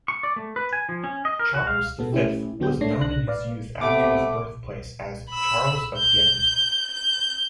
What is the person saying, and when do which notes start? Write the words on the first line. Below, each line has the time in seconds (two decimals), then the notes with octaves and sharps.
Charles V was known in his youth after his birthplace as "Charles of Ghent".
0.08 C#6
0.23 D5
0.36 A3
0.56 B4
0.73 G#5
0.89 F3
1.04 C#4
1.25 D#5
1.39 A#4
1.54 F#4
1.67 F5
1.99 B2 B3 A4
2.12 A3 C#4 E4 G4
2.60 D3 F#3 B3 F#4 G4 G6
2.81 A3 D4 C#5 A#6 C7
3.01 C2 D4 F#6 A#6
3.27 B4 D5 F5
3.81 C3 A3 B3 D6
5.30 B5 E6
5.97 G6
6.91 G6